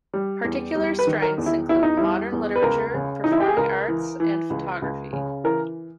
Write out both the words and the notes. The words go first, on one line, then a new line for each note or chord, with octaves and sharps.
Particular strengths include modern literature, performing arts, and photography.
G3
E2
G3
B4
D#3
A#4
E2
E4
E2 E4
D#4
G3 E4
E2
B4
C#2 A#4
C#3
E3 D#4
E4
G4
G#4
C#2 A#4
E3
E3
C#2
C#2
C#3
E3 A#4